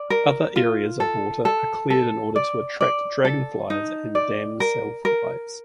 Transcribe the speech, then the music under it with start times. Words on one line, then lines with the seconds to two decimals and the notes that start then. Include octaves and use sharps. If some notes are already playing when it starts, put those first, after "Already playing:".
Other areas of water are cleared in order to attract dragonflies and damselflies.
Already playing: D5
0.10 A#4
0.56 F4
1.00 A4
1.45 A4
1.90 A4
2.36 D5
2.81 D5
3.25 A4
3.70 D#4
4.15 D5
4.60 A#4
5.05 A#4